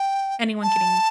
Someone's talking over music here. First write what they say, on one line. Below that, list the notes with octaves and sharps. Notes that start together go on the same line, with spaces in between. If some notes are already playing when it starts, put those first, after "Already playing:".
anyone getting
Already playing: G5
A5